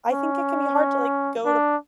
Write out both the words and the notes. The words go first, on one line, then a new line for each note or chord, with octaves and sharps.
I think it can be hard to, like, go to
C#4
D4